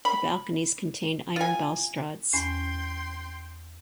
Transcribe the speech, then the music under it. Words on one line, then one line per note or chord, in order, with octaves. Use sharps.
The balconies contained iron balustrades.
B5
F4 G#5
E2 C#4 G5 B5 C6 G6 C7